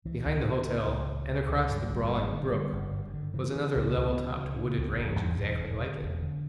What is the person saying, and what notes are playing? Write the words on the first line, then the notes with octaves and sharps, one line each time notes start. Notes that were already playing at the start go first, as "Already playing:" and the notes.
Behind the hotel, and across the brawling brook, was another level-topped, wooded range exactly like it.
C#2 E3
C#2
B2
C#2
C#2
C#2
B2
C#2
G2 F#3
G1
G3
G1
F#3
D3
D3 G3
G1
G2
D3
C#3 E3
C#3
C#2
C#2
C#3
C#3
C#3
C#2
E1
E2
E1
E1
D3
E1
D3